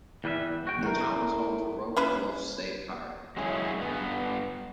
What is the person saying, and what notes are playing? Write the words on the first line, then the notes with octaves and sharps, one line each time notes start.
The town is home to Roque Bluffs State Park.
E2 G3 B4 D#5 E5
F#4 G5
A2 A#4
C#4 E4 B4
F#3 G#3 C#4 E4 G#4
G2 B3